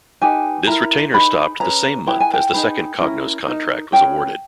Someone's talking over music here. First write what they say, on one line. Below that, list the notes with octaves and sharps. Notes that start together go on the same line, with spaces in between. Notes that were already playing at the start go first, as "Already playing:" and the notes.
This retainer stopped the same month as the second Cognos contract was awarded.
D#4 G4 B4 G#5
E4 A#4 A#5
D#4 G#4 B4 B5
C#4 G#4 B4 A#5
E4 G#4 B4 G5
G#5
G5
D#4 G#4 B4
C#4 E4 A#4
D#4 A#4
C#4 G#4 B4 G5